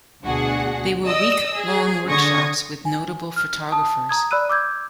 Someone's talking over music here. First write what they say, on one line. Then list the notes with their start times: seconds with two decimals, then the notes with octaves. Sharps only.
They were week-long workshops with notable photographers.
0.23 D2 B2 D4 F#4 G#4 F#5
1.05 D5 D#5 D#6 E6
1.55 G#4
2.08 D3 C#6 D#6 G#6 A#6
2.85 G#5
3.36 F6
3.72 A5 D#6
4.09 A#5 D#6 G#6
4.31 D5 B5 E6 F#6 D#7
4.49 D6 E6 G6 G#6